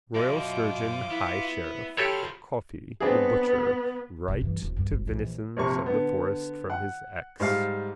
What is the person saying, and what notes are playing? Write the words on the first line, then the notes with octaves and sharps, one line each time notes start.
Royal sturgeon high sheriff, Coffey, the butcher, right to venisons of the forest from his ex.
F#2 B2 F4 D6
B3 E4
F#3 G4 A4 C#5 F5 B5 C6 F6
B3 C4 D4 G#4
C3 F3
G2 E3
D1
G2
G#1
A#1 E3
A#1 C3 A#3 C#6
D3 B3
F#5
G#2 G3 F5